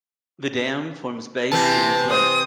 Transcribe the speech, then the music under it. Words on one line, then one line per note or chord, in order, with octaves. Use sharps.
The dam forms Bay Springs Lake.
C3 E3 C4 A5
C5 D#6